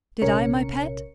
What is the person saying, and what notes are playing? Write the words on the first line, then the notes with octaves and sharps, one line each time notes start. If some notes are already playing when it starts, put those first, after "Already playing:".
"Did I, my pet?"
A#1 C3 C#4 A#4 C#5 C#7